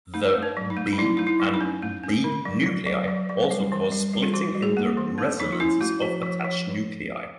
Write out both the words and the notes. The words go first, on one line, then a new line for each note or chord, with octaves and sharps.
The B and B nuclei also cause splitting in the resonances of attached nuclei.
A3 D#4
A3
D4
F#3
D#4
A3
D#4
F#3 E4
A3 D#4
E4
F#3
D#4
C#4
A3
C#4
D3
F#3
F#3
F#3
F#3
F#3
G3
E3
G3
G3
F4
E3 F#4
G3
G#4
A#3
E3
A3 D4
F3 D#4
F4
C#4 E4
A3 F#4
F3
F3
F3